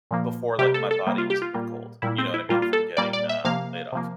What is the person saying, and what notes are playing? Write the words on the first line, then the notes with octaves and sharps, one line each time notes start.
before, like, my body was even cold, you know what I mean, from getting, uh, laid off,
A#2 F3 A#3
C3 G3 A#3 G4
A4
A4
C3 G3 A#3
F4
G4
F4
A#2 G3 A#3
A#2 G3 A#3 E4
C4
E4
A#2 G3 A#3 F4
F4
A4
A#2 G3 A#3 D5
D5
E5
C3 F3 A#3 F5
C3 F3 A#3